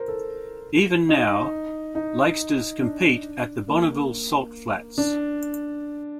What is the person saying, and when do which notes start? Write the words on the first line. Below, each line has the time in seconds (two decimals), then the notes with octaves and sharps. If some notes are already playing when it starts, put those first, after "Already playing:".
Even now, lakesters compete at the Bonneville Salt Flats.
Already playing: A#4 C5
0.08 A4
1.09 D#4
1.95 D#4
2.81 D4
3.68 A#3
4.98 D4